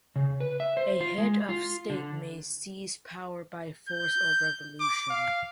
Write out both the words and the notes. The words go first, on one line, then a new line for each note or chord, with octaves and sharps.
A head of state may seize power by force or revolution.
C#3
B4
E5
C5
F4
G#3
F4
D3
G6
D6
F5